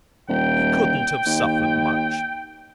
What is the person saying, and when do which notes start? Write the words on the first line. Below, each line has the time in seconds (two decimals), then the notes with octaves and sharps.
He couldn't have suffered much.'
0.28 D#1 G5
1.26 D#2